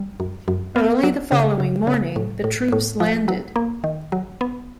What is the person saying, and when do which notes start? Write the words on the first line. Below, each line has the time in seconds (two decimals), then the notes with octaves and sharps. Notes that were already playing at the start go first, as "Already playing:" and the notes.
Early the following morning, the troops landed.
Already playing: G3
0.20 F#2
0.48 F#2
0.76 B3
1.03 F#3
1.32 C#3
1.60 C#3
1.87 C#3
2.16 A2
2.44 A2
2.72 A2
3.00 F3
3.28 F#3
3.56 A#3
3.84 D#3
4.12 F#3
4.41 B3